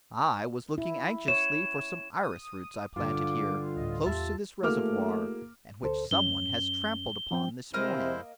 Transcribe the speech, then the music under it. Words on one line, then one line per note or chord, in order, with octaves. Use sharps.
I was looking anxiously for some iris roots I planted here, close to this reservoir, and which some one has trampled upon this morning.
E4
C#5 E7
D#6
G2 D3 F4 D6
D2 A2 D#5
E2 G4 E5 A5 E6
A3 A#3 E4 F#4 G#4 D6 F6
D2 A4 C5
F#2 C#4 G7
F3 C4 G5
C3 G#3 A#3 E4 C5 D#5 F6